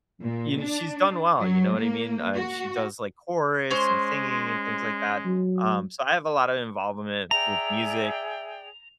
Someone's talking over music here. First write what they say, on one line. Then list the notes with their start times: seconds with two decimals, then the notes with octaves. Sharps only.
You kn she's done well, you know what I mean? Uh, she does, like, chorus and singing and things like that, um, so I have a lot of involvement with music.
0.23 A#2
0.61 D4
1.38 F#3
1.76 A#3
2.34 F#4
3.71 G#3 C#4 C5
5.25 F#3
7.31 G#4 D5 E5 G5 A#5 F7